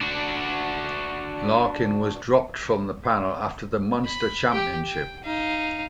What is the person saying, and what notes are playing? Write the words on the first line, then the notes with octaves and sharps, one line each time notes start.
Larkin was dropped from the panel after the Munster Championship.
D4 F#4
B5
G4 G5
G5
D#4 F5